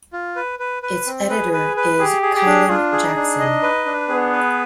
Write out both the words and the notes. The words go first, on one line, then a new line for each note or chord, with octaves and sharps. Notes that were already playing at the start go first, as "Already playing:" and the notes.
Its editor is Kyeland Jackson.
F4
B4
B4
B4
C4
G#4 B4
B4
B4
G4 G#4
G#4
G4
D4
D4 F4
G#4
D#4
D4
D#5
B4
D4
B3 G#4
B4